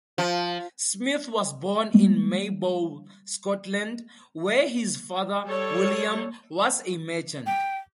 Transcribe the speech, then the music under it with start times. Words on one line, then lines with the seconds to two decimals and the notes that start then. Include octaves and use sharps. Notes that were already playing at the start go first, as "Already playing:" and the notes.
Smith was born in Maybole, Scotland, where his father, William, was a merchant.
0.18 F3
1.94 G3 G#3 A#3 B3
5.44 G3 A4 C#5
7.46 G5